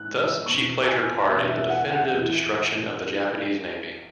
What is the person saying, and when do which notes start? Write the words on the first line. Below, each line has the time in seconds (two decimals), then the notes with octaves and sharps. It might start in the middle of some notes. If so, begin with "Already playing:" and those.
Thus, she played her part in the definitive destruction of the Japanese Navy.
Already playing: G#2 E3 F#6
0.18 E6
0.46 E2 B2 C#6
0.87 G#5
1.29 E2 B2 C#5
1.49 E5
1.70 F#5
1.90 F#5
2.11 E2 E3